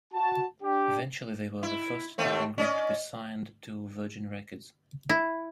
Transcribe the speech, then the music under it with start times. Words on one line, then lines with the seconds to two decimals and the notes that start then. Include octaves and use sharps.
Eventually they were the first Italian group to be signed to Virgin Records.
0.14 F#4 A5
0.63 D4 G4
1.63 E4
2.18 D#2 A3 C4
2.58 C#4 D5 D#5
5.09 E4